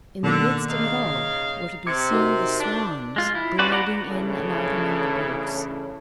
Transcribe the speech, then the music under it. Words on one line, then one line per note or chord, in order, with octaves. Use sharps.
In the midst of it all were to be seen the swans gliding in and out among the boats.
B2 D3 D#3 A#3
C#3 D#4 F5
C3 D6 G#6 C#7
D#4 F#4 A#4
D4
G#3 F4
E4
C#4 F4 F#4 B4 D5
F4 D5 F#5 A#5 B5
A2 C#3 E3 C#4 D4 A4